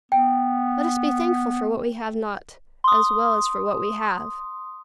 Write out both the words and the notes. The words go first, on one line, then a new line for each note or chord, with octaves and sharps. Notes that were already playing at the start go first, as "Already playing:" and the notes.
Let us be thankful for what we have not, as well as for what we have!
B3 G5
C6 D#6